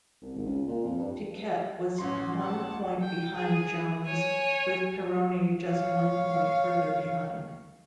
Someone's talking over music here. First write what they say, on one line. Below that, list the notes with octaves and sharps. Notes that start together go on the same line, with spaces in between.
Piquet was one point behind Jones with Pironi just one point further behind.
C2
G#1
C#2
A#2
F2
G2
A1 C#4 F#4 C6
F#5 A5
G5
G#4
C#5 G#5
C#5 F5